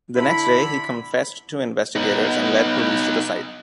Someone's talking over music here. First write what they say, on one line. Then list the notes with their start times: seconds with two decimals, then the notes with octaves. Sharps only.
The next day, he confessed to investigators and led police to the site.
0.16 D3 E4 B5
1.96 B3 D#4